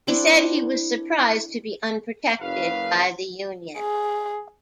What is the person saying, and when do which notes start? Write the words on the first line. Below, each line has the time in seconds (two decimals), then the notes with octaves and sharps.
He said he was surprised to be unprotected by the Union.
0.07 C4 D4 E4
2.40 F#1 C#3 B4 F5
3.78 G#4